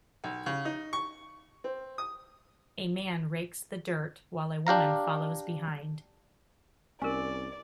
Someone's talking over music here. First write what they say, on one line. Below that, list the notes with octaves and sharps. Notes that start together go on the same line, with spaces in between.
A man rakes the dirt while a woman follows behind.
B1
C#3
D#4
C#6
C4
D#6
D4 G4 F5 A#5
C2 C#4 A#4 D5 G#5